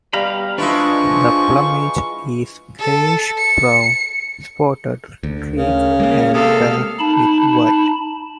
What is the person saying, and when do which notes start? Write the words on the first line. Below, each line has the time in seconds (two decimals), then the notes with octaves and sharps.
The plumage is greyish-brown, spotted, streaked and barred with white.
0.13 B2 G3 F5 A#5 B5
0.58 F3 G#3 D4 E4 B4 C#6
2.79 A4
3.38 C#7
5.23 D2
5.57 C#3 A#4
6.00 G#3 A#3 A#4
6.34 C3 A4 F5 D#6
6.99 D#4 A5 B5